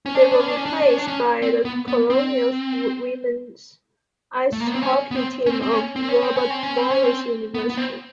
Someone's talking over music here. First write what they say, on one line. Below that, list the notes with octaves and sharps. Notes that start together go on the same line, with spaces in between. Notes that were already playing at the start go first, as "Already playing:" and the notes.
They were replaced by the Colonials women's ice hockey team of Robert Morris University.
C#4
D4
C#4
D4
C#4
D4
C#4
D4
C#4
D4
C#4
D4
C#4
C4
B3
B3
C4
A3
A#3
B3
C4
C#4
B3
C4
C#4
C4
C4
C#4
C4
C#4
C4
C#4
C4
C#4
C4
C#4
C4
B3
B3
C4